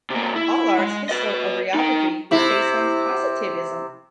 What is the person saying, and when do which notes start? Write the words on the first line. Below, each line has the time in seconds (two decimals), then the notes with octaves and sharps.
Aulard's historiography was based on positivism.
0.10 C3 A#3
0.36 E4
0.78 G#3
1.09 B4 D#5
1.74 D#4 G5
2.31 C3 E4